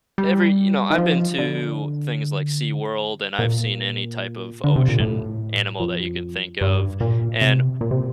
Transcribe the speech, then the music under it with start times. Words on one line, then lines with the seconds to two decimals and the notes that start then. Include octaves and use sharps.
Every You know, I've been to things like SeaWorld, and I've seen any type of ocean animal that you can think of, and
0.18 G3
0.90 D#3
0.98 F3
1.38 D3
3.39 A#2
4.64 D3
4.76 C3
4.88 A#2
5.00 A2
5.80 F2
6.61 G2
7.01 A#2
7.41 C3
7.81 A#2
7.91 C3